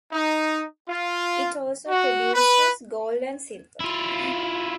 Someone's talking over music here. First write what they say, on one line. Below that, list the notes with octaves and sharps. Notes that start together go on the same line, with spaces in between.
It also produces gold and silver.
D#4
F4
F#4
B4
E4 F4